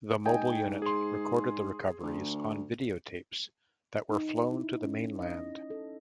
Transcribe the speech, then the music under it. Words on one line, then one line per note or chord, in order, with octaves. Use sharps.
The mobile unit recorded the recoveries on videotapes that were flown to the mainland.
G#2 D#5 G5 G#5
G#4 C6
D2
D#4
E4
C#4
D#5
A4